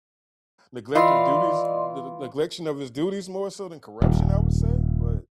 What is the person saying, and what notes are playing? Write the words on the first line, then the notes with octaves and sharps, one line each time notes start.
Neglect of duties the the neglection of his duties more so than corruption, I would say? But
E3 F4 D5 D#5 C6
D#1